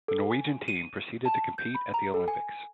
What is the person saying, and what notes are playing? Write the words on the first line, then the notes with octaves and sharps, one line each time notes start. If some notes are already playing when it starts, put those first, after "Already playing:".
The Norwegian team proceeded to compete at the Olympics.
A4
G#5
D#7
A5
G6
B5
A#5
A4
G#5